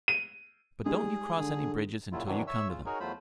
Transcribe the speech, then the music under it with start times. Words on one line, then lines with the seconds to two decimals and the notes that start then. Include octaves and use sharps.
But don't you cross any bridges until you come to them.
0.08 D#7
0.85 G3 G#3 D#4 G#4
1.37 D3
2.12 A#2 C#3 F#3 E4 F4
2.26 G2 C3 D#3 E3 F#3
2.47 C#5 E5 E6
2.68 C#3 F4
2.86 D#4 F#4 G#4 A#4 C#5
3.00 E2 F#3 A3 F4 C5 B5